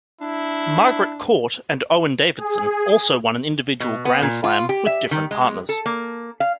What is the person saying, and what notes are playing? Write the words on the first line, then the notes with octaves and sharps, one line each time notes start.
Margaret Court and Owen Davidson also won an individual "Grand Slam" with different partners.
D4 E4
G#4
B2
B3
A#2
F4
G4
E5
D#3
G#3
A4
A#3
F5